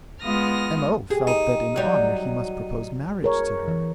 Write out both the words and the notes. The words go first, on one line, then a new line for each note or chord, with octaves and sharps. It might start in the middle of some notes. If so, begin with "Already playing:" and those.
M.O. felt that in honor he must propose marriage to her.
G#3 B3 F4 D#6 F6 A#6
G4 G#4
D#4
F#3 G3
G#4 A#4 C#5
E3